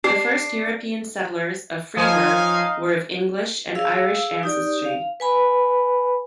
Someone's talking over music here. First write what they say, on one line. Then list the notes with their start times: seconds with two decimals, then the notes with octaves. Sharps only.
The first European settlers of Freeburg were of English and Irish ancestry.
0.04 D4 G4 C7
1.97 F3 D#4 C#5 D#5 F5 G#5
3.75 G#4 F5 E6
4.43 D#4 G4 D5
4.85 F5
5.20 B4 G#5 B5